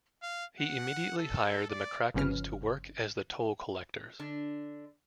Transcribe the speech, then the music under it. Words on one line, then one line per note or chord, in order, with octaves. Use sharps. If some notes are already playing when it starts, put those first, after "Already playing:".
He immediately hired the McCrackens to work as the toll collectors.
F5
F#5
A4
D5
G1 C#3 F3 C#4 B4 F6
D3 D4